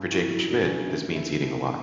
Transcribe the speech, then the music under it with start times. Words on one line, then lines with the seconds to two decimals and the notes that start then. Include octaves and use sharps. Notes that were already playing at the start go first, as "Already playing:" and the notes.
For Jacob Schmidt, this means eating a lot.
Already playing: G2 F#3 C#4
0.11 E4 F#4
0.37 F#3
0.51 D4
0.63 C#4
0.89 A3
1.15 E4
1.41 B2
1.66 B2